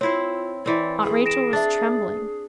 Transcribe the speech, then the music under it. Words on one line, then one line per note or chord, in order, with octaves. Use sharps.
Aunt Rachel was trembling.
C4 E4 F4 C5 C#5
E3 C4 D5
G#4
A#6 D7 E7
D4 E5 A6